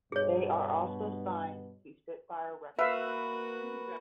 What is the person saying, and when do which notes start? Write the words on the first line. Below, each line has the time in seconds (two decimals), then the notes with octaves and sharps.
They are also signed to Spitfire Records.
0.12 G2 B2 G#4 C#5
2.79 A#3 F#4 B4 E5 F5